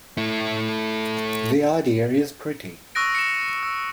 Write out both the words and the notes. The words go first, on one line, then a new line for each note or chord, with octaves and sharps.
The idea is pretty.
A3 E4
C#6 D#6 E6 F#6 A#6 D7
C#7 E7
E6